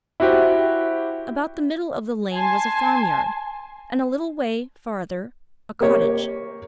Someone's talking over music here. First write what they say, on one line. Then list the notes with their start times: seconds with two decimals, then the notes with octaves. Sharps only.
About the middle of the lane was a farmyard, and a little way farther a cottage.
0.20 E4 F#4 G4 C5
2.32 G#5 A5 C6
5.81 A#3 G4 C#5